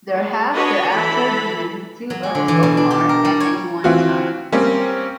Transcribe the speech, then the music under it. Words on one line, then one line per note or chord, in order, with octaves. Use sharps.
There have thereafter been two earls of Mar at any one time.
G#3
D4 F#4 B4 C#5 D#5
E3 A4 B5
F#3
G#3
D3
E3
B2
D4
G4
A#4
G3
C#5
E3 C4 F4 F#4
G3 A#3 C4 C#4